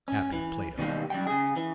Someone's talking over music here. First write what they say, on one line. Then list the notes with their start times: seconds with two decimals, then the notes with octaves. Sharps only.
Happy Plato!
0.08 C#4
0.32 E3
0.78 B2 D#3 G3 G#3 A#3 G4
1.10 F#2 G3 G5
1.27 C#3 G#4
1.56 E3